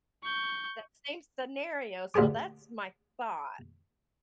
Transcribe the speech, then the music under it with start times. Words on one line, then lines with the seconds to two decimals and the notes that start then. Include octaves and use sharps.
That same scenario, so, that's my thought,
0.23 C#6 G6
2.14 D2 A#2 G4 G#4 D6